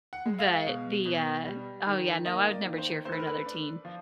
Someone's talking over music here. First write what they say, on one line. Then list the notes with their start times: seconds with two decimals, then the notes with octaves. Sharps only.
But the, uh, oh yeah, no, I would never cheer for another team,
0.13 F#5
0.26 G#3
0.39 F5
0.67 B2
1.05 B2
1.45 G3
1.86 D#3
2.26 A#3 D#5
2.53 D5
2.65 D#3
2.78 C5
3.05 A3 C5
3.12 B4
3.20 A#4
3.27 B4
3.45 D4
3.85 F3